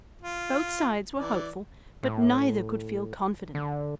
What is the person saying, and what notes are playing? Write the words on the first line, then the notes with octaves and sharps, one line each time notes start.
Both sides were hopeful, but neither could feel confident.
F4
E3 D5
A2
D3